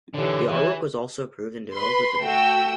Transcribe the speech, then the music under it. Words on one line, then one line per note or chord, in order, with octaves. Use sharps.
The artwork was also approved and developed with the band.
D3 E3 G4 C#5
E3
B4 B5 C6
A3 F#4 G5 E6